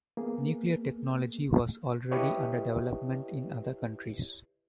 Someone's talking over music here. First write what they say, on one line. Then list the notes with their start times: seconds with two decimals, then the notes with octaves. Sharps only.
Nuclear technology was already under development in other countries.
0.17 A#3 B3 G#4
2.11 E4 G4 B4 C#5 D#5